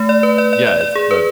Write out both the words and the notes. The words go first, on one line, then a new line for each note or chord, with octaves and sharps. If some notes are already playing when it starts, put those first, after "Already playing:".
Yeah, it's the
Already playing: A3
D5
B4
D5
D5
D5
D5
G#4
B4